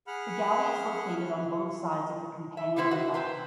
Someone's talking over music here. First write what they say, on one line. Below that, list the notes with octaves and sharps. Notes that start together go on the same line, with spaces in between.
The galley is located on both sides of the companionway ladder.
G#4 F#5 B5 F6
E5
C#3 G3 B3 E4 C5
F#4
C4 B4 C5